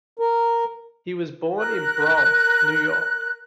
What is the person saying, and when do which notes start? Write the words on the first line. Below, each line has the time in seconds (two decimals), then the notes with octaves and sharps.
He was born in Bronx, New York.
0.19 A#4
1.58 A#4 F#6